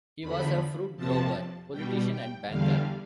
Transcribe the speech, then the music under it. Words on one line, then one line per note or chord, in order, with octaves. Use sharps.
He was a fruit-grower, politician and banker.
E2 D3 F3 B5
F2 C3 F3 A5
B2 G3 G5
G5
E2 D3 G3 F5